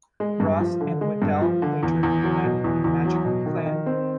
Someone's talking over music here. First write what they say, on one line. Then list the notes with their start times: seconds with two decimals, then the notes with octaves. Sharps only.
Ross and Weddell later reunited in Magic Clan.
0.20 G#3
0.40 G2
0.60 F3
0.81 D3
1.01 G#3
1.22 G2
1.42 F3
1.62 D3
1.83 E2
2.03 E2
2.23 F#3
2.44 B2
2.64 E2
2.84 E2
3.05 F#3
3.25 B2
3.46 D#3
3.66 D#3
3.86 C4